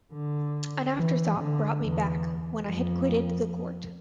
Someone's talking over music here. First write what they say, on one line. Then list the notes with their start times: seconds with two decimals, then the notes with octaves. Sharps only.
An afterthought brought me back, when I had quitted the court.
0.13 D3
0.98 E3
1.39 D3
1.82 E2
2.67 F2